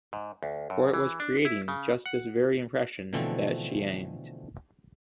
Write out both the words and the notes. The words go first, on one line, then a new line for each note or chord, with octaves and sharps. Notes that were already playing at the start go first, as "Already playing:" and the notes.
For it was at creating just this very impression that she aimed.
G#2
D2
F#2
E3
D4
E4
C#3
F#5
B2 D3 E3 F3 A3 C4